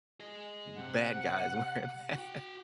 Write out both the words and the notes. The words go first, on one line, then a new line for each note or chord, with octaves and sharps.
bad guys wearing masks.
G#4 D#5
C3 F#5
F#4 G5